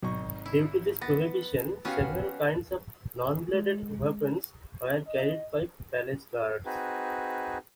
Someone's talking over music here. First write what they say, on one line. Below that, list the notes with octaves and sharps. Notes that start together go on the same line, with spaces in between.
Due to this prohibition, several kinds of non-bladed weapons were carried by palace guards.
G#1 B2 F#3 D#4 C#6
E4
B3 A6 A#6
B3 C#4 F#4 G4 F5
G#3
D#5
C4 D#4 F#4 G#4 B4